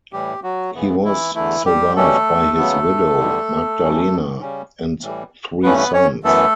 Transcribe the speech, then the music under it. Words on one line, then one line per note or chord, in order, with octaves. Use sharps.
He was survived by his widow, Magdalena, and three sons.
A2 E3 G3 G4
F#3 F#4
F#2 C#3 E3 B3
E3 E4
E2 D3 E3 A3 E4
G3 G4
B2 G3 A3 C#4 A4
C#3 F#3 B3
E2 D3 G3
G2 E3 G3 C#4
C#3 G3 C#4
A2 E3 G3
G2 E3 A3 B3 C#4 B4
B3 B4
C#4 C#5
F#2 E3 A3 B3 A4